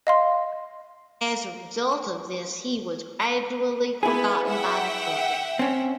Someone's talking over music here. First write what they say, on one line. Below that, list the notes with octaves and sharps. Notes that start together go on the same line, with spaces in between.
As a result of this he was gradually forgotten by the public.
D#5 F5 C6
B3 E4 G#4 B4
E5 F#5 G5
C4 C#4